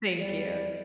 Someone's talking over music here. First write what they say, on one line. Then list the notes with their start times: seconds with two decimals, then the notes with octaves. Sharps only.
Thank you.
0.20 E2 G3 D5